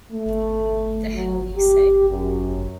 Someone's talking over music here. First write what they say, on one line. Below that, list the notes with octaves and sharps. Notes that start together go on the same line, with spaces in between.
The hell you say!
A3
F#3
G4
F#2